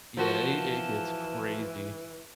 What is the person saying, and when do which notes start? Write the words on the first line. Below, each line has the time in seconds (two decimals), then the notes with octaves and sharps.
Yeah, it it gets crazy.
0.17 E3 F3 F4 F#4 A#4 A5